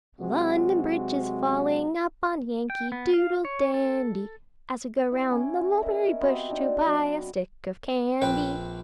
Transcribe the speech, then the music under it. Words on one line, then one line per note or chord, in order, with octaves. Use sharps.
"London Bridge is falling up, On Yankee Doodle Dandy! As we go 'round the mulberry bush To buy a stick of candy."
C3 F#3 G#3 C4 F#4
G5
B3
F5
C#5
A4
E4 G4 G5
C#4 E4
A#4 D#5 E5
B3 C4 F#4 G4
D4 D#4 G4
F#3 F#4 D6
A#1 C4 B4 G5